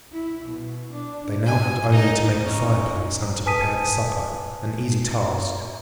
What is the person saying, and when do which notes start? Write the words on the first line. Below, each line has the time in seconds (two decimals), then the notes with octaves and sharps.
They now had only to make a fireplace and to prepare the supper--an easy task.
0.12 E4
0.45 B2
0.93 D4
1.46 G#5
1.91 D#4 A#4
2.46 C#4 D#4
3.46 B4 G#5 A5 D#6 B6 D#7